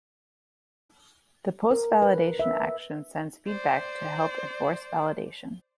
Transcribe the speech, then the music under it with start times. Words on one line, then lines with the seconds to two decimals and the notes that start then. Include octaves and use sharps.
The Post-validation action sends feedback to help enforce validation.
1.71 A#4
2.02 B4
2.40 E5
3.46 C5 D5